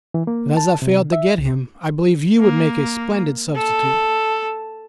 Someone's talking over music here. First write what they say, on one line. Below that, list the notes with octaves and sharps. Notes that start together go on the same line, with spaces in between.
But as I failed to get him, I believe you would make a splendid substitute.
E3
A#3
A5
C3
E5
C2
A#3
A4